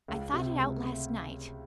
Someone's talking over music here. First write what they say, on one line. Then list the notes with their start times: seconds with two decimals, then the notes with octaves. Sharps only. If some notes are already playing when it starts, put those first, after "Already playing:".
I thought it out last night.
0.08 C#2
0.34 C3
0.58 C#2
0.83 A3